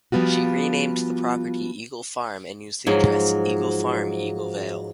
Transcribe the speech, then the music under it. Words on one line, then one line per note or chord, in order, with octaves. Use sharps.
She renamed the property 'Eagle Farm' and used the address 'Eagle Farm, Eagle Vale.
F3 G3 B3 F4 F#4
G#2 F3 F#3